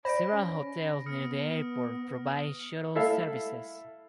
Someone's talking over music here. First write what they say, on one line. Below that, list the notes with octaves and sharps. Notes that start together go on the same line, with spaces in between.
Several hotels near the airport provide shuttle services.
C5 D5 B5 A#6 D7
C#4
B3 D#6 F6 C#7
E4 A4 E5 F5